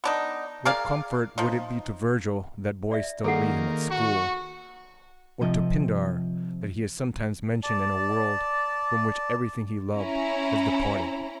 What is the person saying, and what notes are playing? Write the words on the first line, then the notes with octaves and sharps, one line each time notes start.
What comfort would it be to Virgil that boys still read him at school, or to Pindar that he is sometimes mentioned in a world from which everything he loved has departed?
B3 D4 D#4
G#4 A#4 D5 F5
F3 D#4
D5 E5
D#3 A#3 G#4 A4 F#5
F#4 C#6
C3 F3 D#5
D5 A5
C#4 E4 A#5